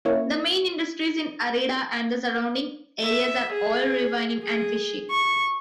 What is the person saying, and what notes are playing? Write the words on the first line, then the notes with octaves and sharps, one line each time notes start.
The main industries in Arida and the surrounding areas are oil refining and fishing.
A#3 C#4 E4 C#5
E5
G#4
G#4
C#6